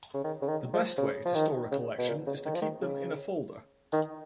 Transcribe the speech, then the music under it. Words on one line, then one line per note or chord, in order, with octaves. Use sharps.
The best way to store a collection is to keep them in a folder.
C#3
D#3
C#3
D#3
F3
C#3
F3
D#3
C#3
B2
A#2
C#3
D#3
F3
D#3
C#3
D#3